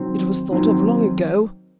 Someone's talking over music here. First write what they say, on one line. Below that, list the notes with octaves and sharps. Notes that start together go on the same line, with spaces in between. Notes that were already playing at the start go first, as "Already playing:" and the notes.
It was thought of long ago.
Already playing: G#2 D#3 F#3 C4
G#2 D#3 F#3 C4